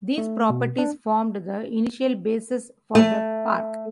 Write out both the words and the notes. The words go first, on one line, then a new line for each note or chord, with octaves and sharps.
These properties formed the initial basis for the park.
A3
B2
D4
A3